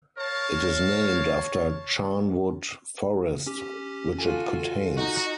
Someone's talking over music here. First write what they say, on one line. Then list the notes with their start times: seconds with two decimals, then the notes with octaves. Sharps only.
It is named after Charnwood Forest, which it contains.
0.19 A#4 C#5 F5 A5
3.46 C#4 G4
4.19 F4 F#4 A4 G#5
4.96 D#4 F#4